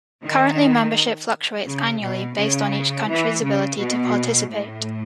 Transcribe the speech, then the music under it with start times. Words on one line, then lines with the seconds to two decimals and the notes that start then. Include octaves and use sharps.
Currently, membership fluctuates annually based on each country's ability to participate.
0.24 D#3
1.65 C#3
2.01 B2
2.37 C#3
3.08 E3
3.43 C#3
3.78 B2
4.49 A2